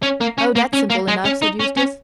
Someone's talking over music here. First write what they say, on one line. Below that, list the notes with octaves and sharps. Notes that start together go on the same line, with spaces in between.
"Oh, that's simple enough," said Eustace.
C#4
A#3
C#4
A#3
C#4
A#3
G#3
C#4
D#4
C#4
C#4